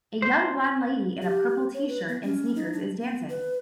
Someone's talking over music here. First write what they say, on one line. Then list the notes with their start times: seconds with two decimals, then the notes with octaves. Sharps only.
A young blond lady in a purple tshirt and sneakers is dancing.
0.22 C5
1.22 G4
1.74 C#5
1.88 B4
2.09 B3
2.23 C#4
2.55 D#4
2.73 D4
3.01 B3
3.29 B4